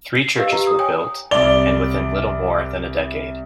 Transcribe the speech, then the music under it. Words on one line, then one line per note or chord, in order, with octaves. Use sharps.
Three churches were built, and within little more than a decade.
C7
G4 B4 D#5 F5 E6
G4 A#5
D#6
C#5 G5 G#5 D#6
C2 D5 G7